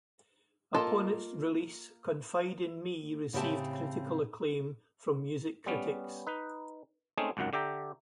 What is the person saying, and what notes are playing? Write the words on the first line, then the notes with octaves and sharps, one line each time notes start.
Upon its release, "Confide in Me" received critical acclaim from music critics.
A#3 F4 A4 D#5 A5
A2 C#3 C4 G4 E5 A5
G3 B3 C#4
D#4 B4
G#3 A3 C4 C#4 D#4 G#4
G#1 C#2 F#2 D#3 F#5
D3 G4 E5 G5 A#5